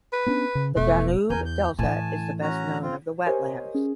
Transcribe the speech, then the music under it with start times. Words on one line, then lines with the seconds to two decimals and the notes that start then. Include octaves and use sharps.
The Danube Delta is the best known of the wetlands.
0.13 B4
0.26 B3 C#4 D4
0.55 C#3
0.76 F1 B2 A3
1.30 E2 A#4 G#5 G6
1.45 G6
1.79 A2 E3 G#5 A5
2.42 C#4 F#4 A#5
2.83 C4 F4
3.26 G4 A#4 C5 C#5 D#5 G#5
3.74 C#4 G#4